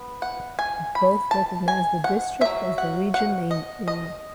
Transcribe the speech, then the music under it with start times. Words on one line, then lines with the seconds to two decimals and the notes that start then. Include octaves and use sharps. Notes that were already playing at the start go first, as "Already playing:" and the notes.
Both recognize the district as the region named Ayn.
Already playing: B3
0.22 F#5
0.59 G#5
0.95 B5
1.31 A5
1.68 G#5
2.04 F#5
2.41 F#3 C#4 E5
2.78 F#5
3.14 F#5
3.51 D#5
3.88 D#5